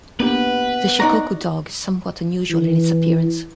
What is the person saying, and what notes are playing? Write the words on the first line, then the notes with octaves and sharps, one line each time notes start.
The Shikoku dog is somewhat unusual in its appearance.
A#3 B3 D4 G4 B4
D#4 D5 A#5 C#6 F#6
E3